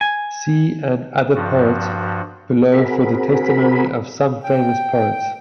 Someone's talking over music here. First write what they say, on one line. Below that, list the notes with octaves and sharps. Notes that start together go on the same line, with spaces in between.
See and other poets below for the testimony of some famous poets.
G#5
G2 F3 F#4
C4 F#4 G#4 A#4 B5
G5